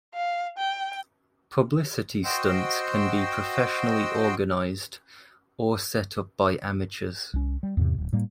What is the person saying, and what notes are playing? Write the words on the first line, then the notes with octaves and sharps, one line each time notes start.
Publicity stunts can be professionally organized, or set up by amateurs.
F5
G5
F#4 C5 D#5 G5 C6 E6
C2 C#4
G3
E2 G#2 C3
D1
A2 G3 A#3